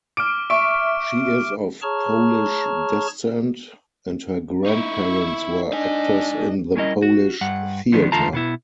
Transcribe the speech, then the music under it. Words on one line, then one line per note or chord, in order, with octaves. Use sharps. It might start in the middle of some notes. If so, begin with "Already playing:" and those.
She is of Polish descent, and her grandparents were actors in the Polish theater.
D6 F6 D7
E5 C#6 D7
G#4 C#5 A5 A#5 C#6 F6
D#4 E4 C#6
D4 D#4 D#5 G#5
G3 C#4 E4 A#4 D#5
F#4
G2 G3 F#5
D3 D#3 F3 B3 D4
E2 D3 A3 F4 A5 A#5
B2 B3 E4